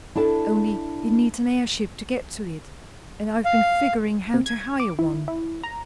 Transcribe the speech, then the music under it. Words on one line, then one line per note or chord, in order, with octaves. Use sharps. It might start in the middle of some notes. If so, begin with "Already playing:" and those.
Only it needs an airship to get to it, and I've been figuring how to hire one.
D4 E4 A4 A5
F5
C3
G#6
D6
E4
E4
A#5